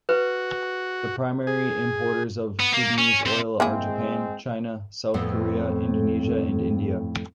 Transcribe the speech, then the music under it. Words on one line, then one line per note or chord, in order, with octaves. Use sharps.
The primary importers of Sudanese oil are Japan, China, South Korea, Indonesia, and India.
F#4 B4
G#4
B3
A#3
C#4
C3 C5
G#3 A#3 C4 E4 G#4
F2 A2 B3